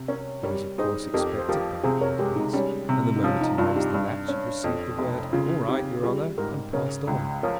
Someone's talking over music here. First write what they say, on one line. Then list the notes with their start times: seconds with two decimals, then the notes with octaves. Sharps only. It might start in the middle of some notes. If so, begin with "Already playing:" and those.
He was of course expected by the orderlies, and the moment he raised the latch he received the word: 'All right, your honor!' and passed on.
Already playing: C3
0.08 C#4 A#4 C#5
0.43 G3 A#4 C#5
0.78 D#4 G#4 C5
1.14 F2 G4 A#4
1.38 C5
1.49 F3 G4 A#4
1.84 C3 G#4 C5
2.01 A#4 C#5
2.19 G#3 G4 A#4
2.36 D#4
2.53 G3 C#4
2.89 C3
3.16 D#4
3.23 F3 C#4
3.41 D#4
3.58 G2 F4
3.76 D#4 G4
3.94 G2
4.28 C#4
4.64 F2
4.99 F1
5.33 C#3 F4
5.68 C4 D#4 G4
6.03 G3 F4 G#4
6.38 G#2 G4 A#4
6.73 C#3 A#4 C#5
7.07 C#2
7.43 F3 A#4 C#5